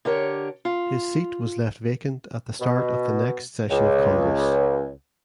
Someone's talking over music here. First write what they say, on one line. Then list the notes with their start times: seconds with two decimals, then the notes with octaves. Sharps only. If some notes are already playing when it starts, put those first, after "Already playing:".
His seat was left vacant at the start of the next session of Congress.
0.05 D3 G4 A#4 C#5
0.65 F4
2.61 B2
3.70 C#2